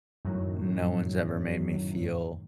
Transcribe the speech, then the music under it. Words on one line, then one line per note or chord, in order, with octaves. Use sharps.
no one's ever made me feel
F#2 A2 D#3 F#3